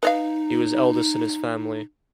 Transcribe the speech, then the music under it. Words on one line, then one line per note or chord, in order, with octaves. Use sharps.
He was eldest in his family.
D#4 B4 D#5 F5